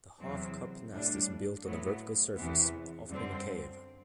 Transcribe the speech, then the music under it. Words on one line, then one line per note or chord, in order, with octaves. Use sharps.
The half-cup nest is built on a vertical surface, often in a cave.
E2 C3 F#3 C4
A2 G3 D4
A2 F#3 B3
E2 C3 E3 B3
F#2 D3 G3 C4